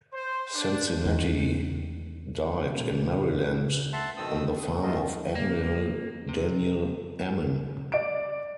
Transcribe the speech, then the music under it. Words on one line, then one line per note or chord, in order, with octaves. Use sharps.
Cincinnati died in Maryland on the farm of Admiral Daniel Ammen.
C5
D4
E2 D#3
A#2 C#3 G3 A#3
E5 F#5 A5 C6
F2 B2 D#3 C4 D#6 E6
D#6
D#2 C3 F#3 A3 F4 D#5
A#3
C3
D5 D7